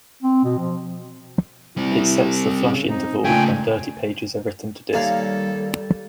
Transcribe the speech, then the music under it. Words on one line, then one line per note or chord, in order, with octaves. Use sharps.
It sets the flush interval when dirty pages are written to disk.
C4
B2
F3
G3 C4 E4
C#3
C4 D#4
A#2 C#3 A3 F4 G5 G#5
D#2 G3 A#3 A4 C#5 D5 F5